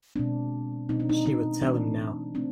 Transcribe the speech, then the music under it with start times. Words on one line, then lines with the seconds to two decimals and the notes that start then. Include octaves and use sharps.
She would tell him now.
0.16 B2 G#3 C4 D4
0.89 B2 G#3 C4 D#4
1.00 D4
1.09 D#4
1.26 D#4
1.62 E3 A3 C4 D4
2.35 E3 A3 C4 D4